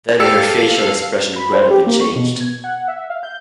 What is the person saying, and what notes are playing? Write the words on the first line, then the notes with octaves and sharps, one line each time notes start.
Then her facial expression gradually changed.
G4 A4 F5 E6 C#7
B5
C5
G4
A#3
C#6
B2
G#6
F#5
E5
F5
G6